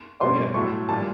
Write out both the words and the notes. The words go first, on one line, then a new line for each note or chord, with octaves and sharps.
Oh, yeah. Yeah.
B2 G3 C6
A2 F#3 A3 C#6
A#2 G3 A5